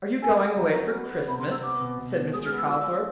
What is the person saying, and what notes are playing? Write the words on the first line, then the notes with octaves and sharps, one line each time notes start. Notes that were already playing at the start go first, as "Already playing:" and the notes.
"Are you going away for Christmas?" said Mr. Calthorp.
A4 G#5
F#4
F#3 A#5
C#4
B3
B3
C3 B5
C6
C4
E6
B3 D6
B2
B2
B2
G#3 D#6
F6
B3
E6
F4 E6
C#4